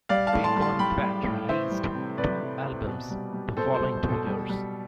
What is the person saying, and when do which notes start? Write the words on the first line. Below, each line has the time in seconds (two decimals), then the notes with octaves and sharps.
Bacon Fat released two albums the following two years.
0.09 G3 D5 F5
0.27 F5 A5
0.33 A2
0.44 A5 C6
0.56 G3
0.61 A5 C6
0.79 G3 G5 B5
1.02 G3
1.25 A2
1.49 E3 C5 E5
1.71 G3
1.95 C3
2.18 C3 B4 D5
2.41 C3
2.64 C3
2.87 B2
3.10 G3
3.33 G3
3.57 B2 A4 C5
3.74 A4 C5
3.80 G3
4.03 B2
4.09 A4
4.27 G3
4.49 G3